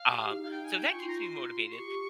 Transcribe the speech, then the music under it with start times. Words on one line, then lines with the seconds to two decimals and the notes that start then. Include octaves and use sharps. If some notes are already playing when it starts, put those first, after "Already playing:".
Uh, so that keeps me motivated,
Already playing: F5
0.11 G4
0.31 D#4
0.42 F5
0.51 G5
0.64 G#5
0.79 G5
0.91 F4 C#6
1.00 C6
1.08 A#5
1.17 C6
1.72 G4 C#6